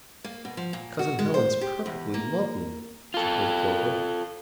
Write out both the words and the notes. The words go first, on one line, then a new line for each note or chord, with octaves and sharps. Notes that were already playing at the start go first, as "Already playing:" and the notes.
"Cousin Helen's perfectly lovely," she told Clover.
A#3
B2
F3
A#2
F#4
G#3
C5
G4
E2
A#3
F4 A4